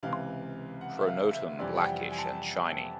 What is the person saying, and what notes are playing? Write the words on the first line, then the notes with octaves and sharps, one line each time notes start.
Pronotum blackish and shiny.
C#2 C3 E3 F5
F#5
E5
F5
E5
F2 C3 E3 G3 D5
F#5
G5
G#5
A5